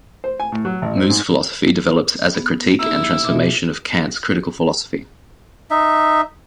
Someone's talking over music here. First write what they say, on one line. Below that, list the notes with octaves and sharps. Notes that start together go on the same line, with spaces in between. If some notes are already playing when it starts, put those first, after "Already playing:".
Mou's philosophy develops as a critique and transformation of Kant's critical philosophy.
C5
G#5
A2
F#3
A1
C4
G#2
B3
A#3 D#4 E4 G4 E6
B2 F4 E5 D6
D#4 E5